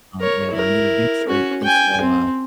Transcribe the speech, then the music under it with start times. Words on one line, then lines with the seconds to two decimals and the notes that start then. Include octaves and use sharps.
um, yeah, or a new adventure, and so, uh,
0.20 A#4 C#5
0.51 E4 A#4
1.28 C#4 F#4
1.63 G5 G#5
2.01 C4